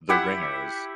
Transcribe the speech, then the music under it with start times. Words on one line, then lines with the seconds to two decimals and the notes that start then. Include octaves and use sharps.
The ringers.
0.09 E4 G4 E5 F#5